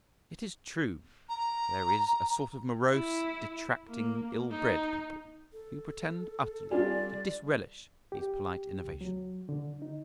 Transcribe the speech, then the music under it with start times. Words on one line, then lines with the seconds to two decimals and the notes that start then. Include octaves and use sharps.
It is true there is a sort of morose, detracting, ill-bred people who pretend utterly to disrelish these polite innovations.
1.29 A#5
2.92 E4
3.89 A#3
4.51 D#4
5.53 A4
6.71 G3 D4 F4 D5 G#5
8.12 G4
8.85 C#2
9.01 F#3
9.49 D3
9.82 D#4